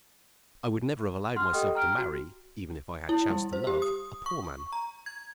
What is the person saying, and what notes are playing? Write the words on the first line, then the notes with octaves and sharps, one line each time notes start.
I would never have allowed myself to marry even if I had chanced to love a poor man.
F#5 C6 F6
G4 A4 D#5 F#5 G5 D#6
G5 A#5 F6 D7
F#4
E4
G3
C5
G4
D#6
C#6
A#5
G#6